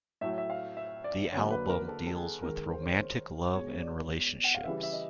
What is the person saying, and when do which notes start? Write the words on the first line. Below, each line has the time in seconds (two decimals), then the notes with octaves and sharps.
The album deals with romantic love and relationships.
0.21 A2 F#3 A3 E5
0.38 E5
0.50 F5
0.77 E5
1.04 D5
1.32 D3 C#5
1.34 F#3 A#3
1.50 B4
1.69 A#4
1.83 A#4
1.88 A4
2.07 A4
2.15 G#4
2.43 D#3 G#3 A#4
2.71 C5
2.81 C#5
2.89 C5
3.54 B2 G#3 C#5
3.81 D5
4.44 F#5
4.55 F5
4.64 C#3 E3 G3 E5
4.83 E5
4.93 D#5